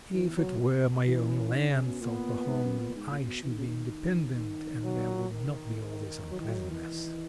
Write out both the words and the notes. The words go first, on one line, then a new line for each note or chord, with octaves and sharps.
"If it were my own land," thought Pahom, "I should be independent, and there would not be all this unpleasantness."
E3 B3
F#3
E3 C#4
D#3
C#3
B2
A#2 B3
G#2
F#2
A#2
G#2
A#2
C#3
B2
E3
D#3
C#3
D#3
D#3
F#3
D#3
D#3
F#3
E3
F#3
D#3 E3